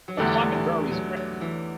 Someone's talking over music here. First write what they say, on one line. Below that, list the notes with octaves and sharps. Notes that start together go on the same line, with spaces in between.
The climate varies greatly.
F#3
E2 D3 E3 G3 A3 D4
E3
F#3
F#3
E3